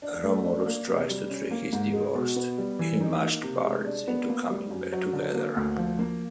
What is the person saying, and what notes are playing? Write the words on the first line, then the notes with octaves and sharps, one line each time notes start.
Romulus tries to trick his divorced, ill-matched parents into coming back together.
D4
A3
D4
A#3
C3
G3
C#4
A#3
G#2
G#3
B2
B3
G3
E3
D#4
A#3
C3
G#3
D4
B3
A#3
G3
F#2
F#3
D3
A#3
D2
F3
A#3